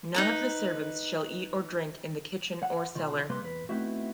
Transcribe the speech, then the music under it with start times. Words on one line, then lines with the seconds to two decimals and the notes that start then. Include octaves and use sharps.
None of the servants shall eat or drink in the kitchen or cellar.
0.14 D#4 B4 A#5
2.63 F#5
2.95 B1 D#3 F4
3.30 C3 G3 A#3 B4 C6
3.42 E2 B4
3.69 A3 B3 C4 D#4 E4 F#4